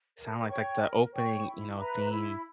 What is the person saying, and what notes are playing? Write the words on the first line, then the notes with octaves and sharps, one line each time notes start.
sound like? Like, the opening, you know, theme
A#4
C#5 G5 C#6
A#4
C#5 G5 C#6
E4
B4 E5 A#5
E4